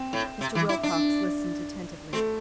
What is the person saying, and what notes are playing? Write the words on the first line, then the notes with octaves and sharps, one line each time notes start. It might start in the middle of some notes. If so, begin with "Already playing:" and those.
Mr. Wilcox listened attentively.
Already playing: C4
A2
C3
E3
E4
D4
A3 C4